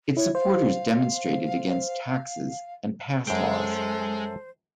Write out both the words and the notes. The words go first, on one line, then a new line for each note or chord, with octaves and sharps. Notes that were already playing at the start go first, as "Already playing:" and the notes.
Its supporters demonstrated against taxes and pass laws.
E4 C#5
C5 F5
F#2 G#3 A4 C5 G5